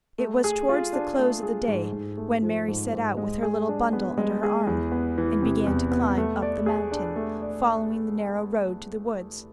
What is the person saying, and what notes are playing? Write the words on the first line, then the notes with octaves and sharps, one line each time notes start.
It was towards the close of the day when Mary set out with her little bundle under her arm, and began to climb up the mountain, following the narrow road to the woods.
A3
G#4
F4
D4
A3
G#4
G#2
G#2
A3
F3
G#2
G#2
G#3
G#4
D4
B3
G#3
G#4
E2
B3
E3
C3
E2
B3
A3
D5
G#4
D4
A3
D5